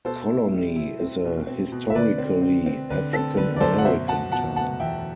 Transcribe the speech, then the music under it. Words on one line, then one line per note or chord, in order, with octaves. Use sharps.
Colony is a historically African-American town.
B2 A4 C5
E4
G3
E4
C4
B2
C4
B2
E5
D3 B4 D5
C4
C4
C4
D3 B4
C4 A4
D3 B4
D5
F#2 A4 C5
F#5
B2 C5 E5
B2 F#5 A5
B2 F#5 A5
B2 F#5 A5
E2 E5 G5